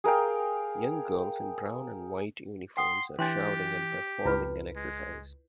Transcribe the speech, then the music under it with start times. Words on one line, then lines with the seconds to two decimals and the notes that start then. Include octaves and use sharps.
Young girls in brown and white uniforms are shouting and performing an exercise.
0.04 G#4 A#4 F5 G5
2.77 F#5 G5 C6 D#6
3.19 E3 D4 G4 G5 C6 F#6 A6
4.25 C#2 E4 F4 B4
4.76 G#3